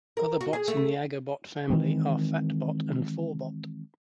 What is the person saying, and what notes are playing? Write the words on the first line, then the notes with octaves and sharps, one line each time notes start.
Other bots in the Agobot family are Phatbot and Forbot.
A#4
F#4
G#4
A3
D#3 E3 G#3 C4